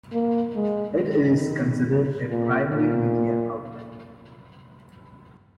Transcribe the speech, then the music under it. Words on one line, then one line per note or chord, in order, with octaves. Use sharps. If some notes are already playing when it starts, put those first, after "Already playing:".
It is considered a primary media outlet.
A#3
G#3
D#3
A#2
A#2